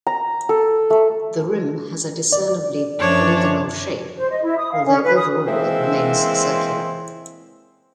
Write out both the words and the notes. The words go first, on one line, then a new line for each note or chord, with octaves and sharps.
The rim has a discernibly polygonal shape, although overall it remains circular.
A#5
A4
A3
D5
F#2 F3 D4 C#5
C5
D#5
E4
D#6
F5
C#4
B4
D#6
E3 G#3 A#3 C4 C5 E5